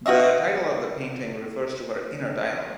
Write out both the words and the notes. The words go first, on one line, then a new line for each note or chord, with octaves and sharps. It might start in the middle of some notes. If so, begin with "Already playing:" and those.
The title of the painting refers to her inner dialogue.
F4 F#4 D#5 E5